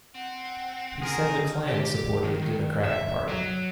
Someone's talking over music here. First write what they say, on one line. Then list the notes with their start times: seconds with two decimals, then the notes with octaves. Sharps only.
He said the Klan supported the Democratic Party.
0.14 C4 F#5
1.02 G#4 A#4
1.68 G4
2.24 D#3
2.42 D#3
2.85 E5
3.29 F#3